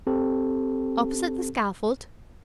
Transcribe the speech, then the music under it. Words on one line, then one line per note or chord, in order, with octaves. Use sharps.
"Opposite the scaffold?"
C4 G4 A4